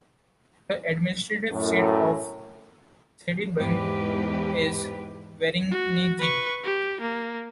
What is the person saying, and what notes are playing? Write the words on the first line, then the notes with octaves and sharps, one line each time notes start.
The administrative seat of Sedibeng is Vereeniging.
F#2 A2
E2 G#2 G4 B4
F#4
B4 C#6
G4
A#3